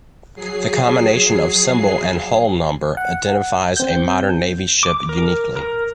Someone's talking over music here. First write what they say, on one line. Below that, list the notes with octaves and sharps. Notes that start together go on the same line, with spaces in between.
The combination of symbol and hull number identifies a modern Navy ship uniquely.
F#3 G#4 C7
F#5
C4 G6
D6
A#4
A#4